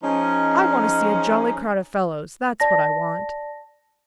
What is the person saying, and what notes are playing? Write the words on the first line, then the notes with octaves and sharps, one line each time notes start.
I want to see a jolly crowd of fellows, that's what I want.
F3 G#3 C#4 D#4
D5 A5 A#6